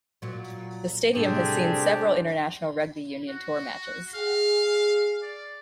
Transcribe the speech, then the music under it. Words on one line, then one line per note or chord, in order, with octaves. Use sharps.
The stadium has seen several international rugby union tour matches.
A#2 F#3
A2 C3 G3 C4 D4 G4 G#4 G5
F#4
G#4 F5
D5